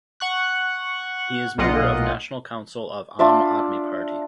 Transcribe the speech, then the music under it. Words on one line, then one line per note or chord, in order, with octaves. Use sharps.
He is member of National Council of Aam Aadmi Party.
F#5 C#6 F#6
B1 A#2 F4 D#5 F#5
D4 F4 D5 E5